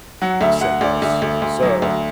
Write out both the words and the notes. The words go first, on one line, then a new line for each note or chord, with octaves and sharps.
save us. So,
F#3 F#5
D2 E5
D2 F#5
D2 D5
D2
D2
D2
F#3
D2